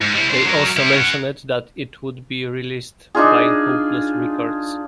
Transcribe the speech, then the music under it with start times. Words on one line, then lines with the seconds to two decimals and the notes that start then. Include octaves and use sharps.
They also mentioned that it would be released by Hopeless Records.
0.01 G#2
0.15 G3 E4
0.31 D4 C5
0.46 F#3 A#4
0.77 G3 E4
0.94 C#4 F#5
3.15 D4 D#4 F4 G#4